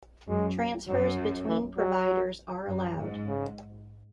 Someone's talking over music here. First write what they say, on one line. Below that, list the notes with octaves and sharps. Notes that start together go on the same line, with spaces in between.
Transfers between providers are allowed.
F#2 G#3
F#2 F#3
E3
F#3
F#2
G#2
C#3